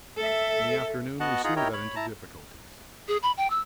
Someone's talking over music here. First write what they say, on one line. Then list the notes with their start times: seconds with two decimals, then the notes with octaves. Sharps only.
In the afternoon we soon got into difficulties.
0.17 A4 E5
1.20 B3 F#4 D#5 F#5 A5
1.44 D#4 F4 G#4 F#5 A#5
1.56 D#4 E4 G4 A#4 C#5 G5
1.73 C#5 B5
1.96 E4 A5 A#5
3.08 G#4
3.23 B5
3.37 G5
3.50 E6